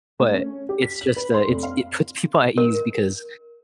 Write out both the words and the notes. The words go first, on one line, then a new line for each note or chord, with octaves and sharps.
but it's just, uh, it's it puts people at ease because
A3
C#4
G4
B6
F#7
B4
C6
F1
F5
A#4